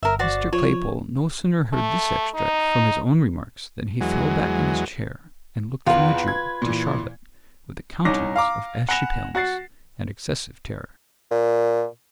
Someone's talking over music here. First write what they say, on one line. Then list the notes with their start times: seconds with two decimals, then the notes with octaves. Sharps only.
Mr. Claypole no sooner heard this extract from his own remarks than he fell back in his chair, and looked from the Jew to Charlotte with a countenance of ashy paleness and excessive terror.
0.03 G1 A#4 E5
0.19 F#4 C5 D5
0.53 F3 C#5
1.73 A3
2.34 D#4
4.01 E2 F#3 G#3
5.87 E2 F4 B4
6.28 G#6
6.62 A#2 E3
8.05 C2 C#4 D#4 C#5 D6 A#6
8.36 F5 A#5 D6
8.89 F#5 G#5 B5 A#6 E7 F7
9.35 F#4 F#5 A6 C7
11.31 A#2